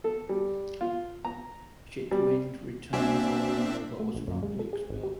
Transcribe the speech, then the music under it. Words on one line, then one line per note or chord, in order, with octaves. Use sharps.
Chetwynd returned the following year but was promptly expelled.
A4
G3
F4
A#5
G3
C2 A#3 C4 D4 F#4 E5 G#5
A3
A#1
F#2
G#3
A4
G#4
G#1
G4